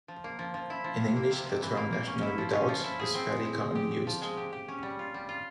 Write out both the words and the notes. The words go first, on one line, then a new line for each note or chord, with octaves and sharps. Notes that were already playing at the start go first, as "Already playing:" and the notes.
In English the term National Redoubt is fairly commonly used.
F3
A#3
F3
F3
E4
F3
C3
A#3
C3
C3
E3
A#3
A#3
C#4
E4
F3
C#4
F3
E4
G#4
C4
G#3
G#3
G#3
G4
G4
F3
G#3
G4
G4
C#4
G3
F4
G3
F4